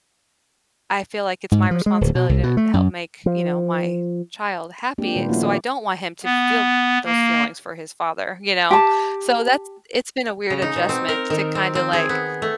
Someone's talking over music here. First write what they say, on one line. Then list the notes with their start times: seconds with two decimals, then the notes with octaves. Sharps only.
I feel like it's my responsibility to help make, you know, my child happy. So, I don't want him to feel those feelings for his father. You know? So that's It's been a weird adjustment to kinda, like,
1.52 G#2
1.71 F3
1.86 G#3
2.01 D1
2.15 B2
2.29 C2
2.43 B2
2.57 A3
2.74 F#2
3.26 F3
4.98 G#3 A#3 C4 D4 G4
5.14 A#2 D#3 G3 F4 B4
5.29 F3 A3 A#3 C#4 E4 F#4
5.41 D#3 D5
6.25 B3
7.05 A#3
8.71 G4 A5
10.50 C#3
10.62 D#4
10.76 B2
10.89 C4
11.09 A#4
11.30 D#3
11.55 C4
11.75 C4
11.93 G#4
12.09 B3
12.42 A3